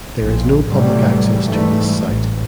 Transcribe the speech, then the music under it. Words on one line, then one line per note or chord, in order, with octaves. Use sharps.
There is no public access to this site.
A#1
A2 C3 E3 F#3 G3 A3
G#2 E3 G3 A3
A1